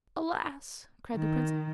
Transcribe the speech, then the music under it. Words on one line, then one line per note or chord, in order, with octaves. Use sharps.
'Alas!' cried the princess.
D#3